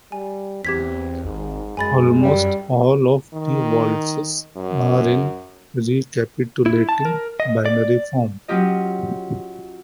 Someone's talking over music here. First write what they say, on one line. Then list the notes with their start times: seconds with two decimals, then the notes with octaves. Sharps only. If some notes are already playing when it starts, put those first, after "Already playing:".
Almost all of the waltzes are in a recapitulating binary form.
0.12 G3 G#5
0.65 E2 C4 G4 G#6 B6
1.24 G#1 G#2
1.77 F#2 G#3 G#5 B5 A6
2.19 G3
3.34 D#3
4.57 F#2
6.66 E4
6.89 A5
7.05 A#4
7.40 D#5
7.66 D5
8.48 F#3 C#4 F4 G4 D#5